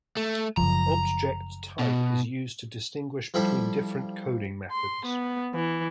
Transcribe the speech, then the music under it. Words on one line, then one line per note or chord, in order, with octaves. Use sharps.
Object Type is used to distinguish between different coding methods.
A3
F#1 C#2 F3 A#5
B2
F3 G3 E4 G4 A4
C6
B3
E3